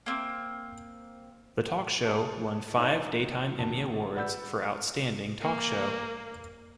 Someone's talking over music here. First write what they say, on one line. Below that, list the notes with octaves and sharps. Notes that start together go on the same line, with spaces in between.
The talk show won five Daytime Emmy Awards for Outstanding Talk Show.
A#3 C4
G#4 C#5 D5 A5
D#4 A#4 C5 C#5 D#5
B1 D#3 A5
B4 D5 F#5 B5 E6 G6
F6
A#3